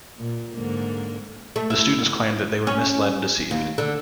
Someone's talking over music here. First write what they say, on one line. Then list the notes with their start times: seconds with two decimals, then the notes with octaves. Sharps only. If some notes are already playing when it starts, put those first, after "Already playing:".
The students claimed that they were misled and deceived.
0.19 A#2
0.54 G#2 D3 A#3
1.56 A3
1.70 E4
2.67 C#4
3.51 D#2
3.78 D3